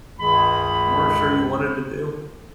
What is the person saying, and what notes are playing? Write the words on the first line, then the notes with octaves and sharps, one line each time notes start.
weren't sure you wanted to do?
C#2 G2 D#3 G#3 G#4 B5